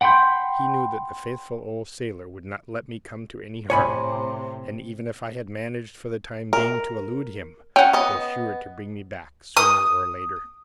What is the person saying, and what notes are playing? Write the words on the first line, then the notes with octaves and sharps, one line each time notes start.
He knew that the faithful old sailor would not let me come to any harm, and even if I had managed for the time being to elude him, was sure to bring me back sooner or later.
F#5 G5 B5 C6 G6
A2 C3 C#5 G#5 B5
A#4
C#4 F#5 G5
B3 D#5
D#6